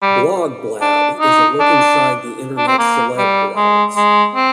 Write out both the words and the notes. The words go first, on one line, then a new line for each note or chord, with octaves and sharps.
"Blog Blab" is a look inside the internet celeb blogs.
G3
D4
D#4
D4
D4
C4
A#3
G3
G#3
G#3
C4